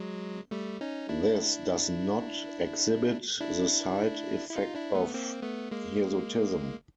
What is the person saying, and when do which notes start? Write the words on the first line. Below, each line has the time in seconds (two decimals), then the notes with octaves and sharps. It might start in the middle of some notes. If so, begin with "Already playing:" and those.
This does not exhibit the side effect of hirsutism.
Already playing: F#3 G#3
0.51 G3 A3
0.81 C#4 D#4
1.09 D4 E4
3.40 D4 E4
4.51 E4
4.56 D#4 F4
4.75 D4 E4
4.94 A3 B3
5.14 A#3 C4
5.42 A3 B3
5.71 G#3 A#3